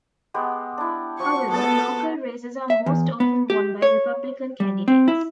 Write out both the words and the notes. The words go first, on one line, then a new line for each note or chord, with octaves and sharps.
However, local races are most often won by Republican candidates.
G#3 B3 G4
D4 E4
F3 F#4 C#6
B3 G#4 A4 A5
E5
E2
B3
G4
C#5
G3
C4
E4